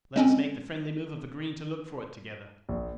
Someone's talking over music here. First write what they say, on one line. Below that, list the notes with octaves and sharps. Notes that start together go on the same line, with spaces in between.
Let us make the friendly move of agreeing to look for it together.
G#3 C4 C#4
A#1